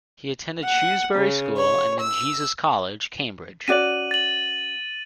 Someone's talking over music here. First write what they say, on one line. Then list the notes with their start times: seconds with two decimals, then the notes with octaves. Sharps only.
He attended Shrewsbury School and then Jesus College, Cambridge.
0.64 F#5
1.16 C#3
1.57 C#5
2.00 E6
3.68 C#4 F#4 D5 D#7 F#7
4.11 A6 F#7